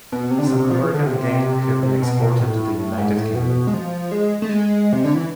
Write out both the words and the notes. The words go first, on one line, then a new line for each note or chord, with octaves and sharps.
Some American Game have been exported to the United Kingdom.
B2
C3
D3
C3
F3
E3
D3
C3
C3
B2
B2
A2
G#2
A2
B2
G#3
F3
G#3
A3
G#3
C3
D3
E3